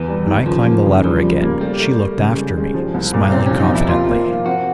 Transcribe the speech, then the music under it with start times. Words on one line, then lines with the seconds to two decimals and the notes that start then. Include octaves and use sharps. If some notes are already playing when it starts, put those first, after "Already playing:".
When I climbed the ladder again, she looked after me, smiling confidently.
Already playing: E2 E3
0.08 G3
0.27 D#3
0.46 C#3 F3
0.66 A#3
0.85 C#3
1.03 F3 G3
1.23 G3
1.42 A#3
1.61 G3 A3
1.80 A3
1.99 A3
2.17 C#3
2.38 G#3
2.57 G#3
2.74 F3
2.94 C2
3.14 A#2
3.32 C3 C4
3.46 F3 C#4
3.60 D#4
3.70 F2 E4
3.89 A#3 F4
4.08 A#3
4.27 F3
4.46 C4 F#4